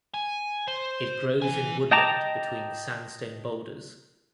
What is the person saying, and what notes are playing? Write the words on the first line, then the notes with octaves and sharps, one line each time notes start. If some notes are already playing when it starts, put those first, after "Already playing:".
It grows in woodland between sandstone boulders.
G#5
C5
E3 G#5
D#5 G5 A5 A#5 D6